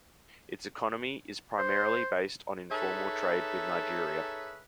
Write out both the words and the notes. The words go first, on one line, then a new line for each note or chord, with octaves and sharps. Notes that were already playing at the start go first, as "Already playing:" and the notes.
Its economy is primarily based on informal trade with Nigeria.
C5
D#4 G#4 A4 B4 C#5 E5